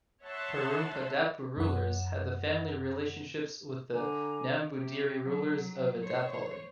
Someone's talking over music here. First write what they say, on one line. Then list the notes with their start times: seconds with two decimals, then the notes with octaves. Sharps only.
Perumpadappu rulers had family relationships with the Nambudiri rulers of Edappally.
0.23 C#5 E5 F#5 A5 C6
1.57 F#2 F#5
3.94 D3 G#5 A#5 D6
4.77 C3 G4
5.24 F#3
6.04 C5 C#5